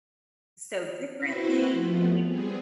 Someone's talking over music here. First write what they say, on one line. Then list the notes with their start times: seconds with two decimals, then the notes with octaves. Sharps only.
so differently," and you
1.17 C4 E4 F#4 B4 C5
1.71 F3 A3 B3
2.24 G3 B3 C4 G#4